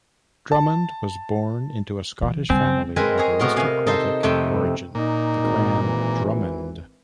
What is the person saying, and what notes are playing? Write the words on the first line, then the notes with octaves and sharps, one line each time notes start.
Drummond was born into a Scottish family of aristocratic origin, the Clan Drummond.
A5
E3
C#3 G3 C4 G#5
G#3 C4 A#4 B4 G#5
G#4 C#5 A#5
A2 B3 F#4 A#4 A#5 C6
C3 D#5 F5 G#5
D#4 A4 C5
F2 C3 A3 G5
A#2 D#4
G#1
E3